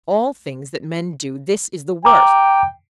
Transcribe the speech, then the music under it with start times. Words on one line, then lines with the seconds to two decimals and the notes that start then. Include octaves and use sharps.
Of all things that men do this is the worst.
2.05 G5 A#5 D6